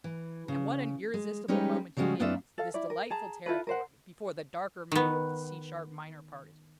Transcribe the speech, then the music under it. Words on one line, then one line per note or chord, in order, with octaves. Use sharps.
And what an irresistible moment it is, this delightful territory, before the darker mood of the C sharp minor part is reached!
E3
C#3
G#3
G3 G#3 C#4 D#4 G4 B4
C#3 F3 G3 G#3 C#4 F#4
F#2 B3 D#4 F4 D5 E5
A4 F5
E4 D5
A#4
G#4 A5 A#5
E4 F4 A4 B4
A#4 C5 F#5
D#3 B3